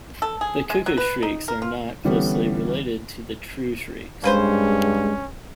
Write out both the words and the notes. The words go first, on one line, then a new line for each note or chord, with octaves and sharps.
The cuckoo-shrikes are not closely related to the true shrikes.
A4
G#4
G#3
F#3
B4
D#4
A#4
F4
D3 E3 G3 B3 C#4
G2 G#3 A#3 C#4 B4 C5